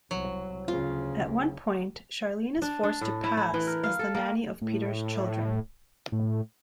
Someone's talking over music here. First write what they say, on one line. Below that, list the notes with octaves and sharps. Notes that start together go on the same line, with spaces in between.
At one point, Charlene is forced to "pass" as the nanny of Peter's children.
C2 F#3
D2 C#3 F4
D4
D4
A2
E4
E4
E3
A#4
F5
A4
A#3
A2
A2